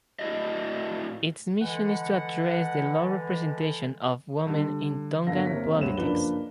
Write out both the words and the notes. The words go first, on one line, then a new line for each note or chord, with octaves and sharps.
Its mission is to address the low representation of women in Tongan politics.
A2 E4 F#4 D5 D#5
D3 E3 G#3 F#5
D3 G3
G1 D3 A#3 F5 A#6
C3 A#3 A#4 C#5 B6
D2 G2 C#5 E7
F#1 F3 A#3 D4 B4 G7